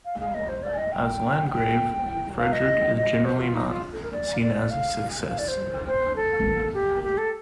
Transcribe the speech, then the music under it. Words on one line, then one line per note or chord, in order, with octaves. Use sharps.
As Landgrave, Frederick is generally not seen as a success.
F5
F5
D#5
C5
D5
D#5
G5
G5
F5
D#5
D#5
C5
F4
D#4
F4
A4
A#4
D5
D5
F5
F5
D5
C5
C5
A4
G4
G4
A4